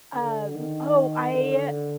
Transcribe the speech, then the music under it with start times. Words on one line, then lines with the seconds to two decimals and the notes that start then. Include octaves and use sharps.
um oh, I
0.14 D3
0.53 D#3
1.33 D3